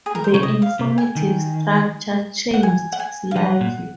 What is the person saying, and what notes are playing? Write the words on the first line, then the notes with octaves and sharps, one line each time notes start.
The informative structure changed slightly.
G#4
A#4
C5
C#3 C#5
C3 D#5
F5
C3
G#5
D#3
F#5
G#5
F#5
G#5
F5
F3 F#5
A#2